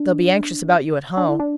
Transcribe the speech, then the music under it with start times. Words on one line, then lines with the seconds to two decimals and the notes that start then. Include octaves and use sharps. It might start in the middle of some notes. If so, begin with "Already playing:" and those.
They'll be anxious about you at home.
Already playing: D4
1.17 D4
1.28 E4
1.40 D4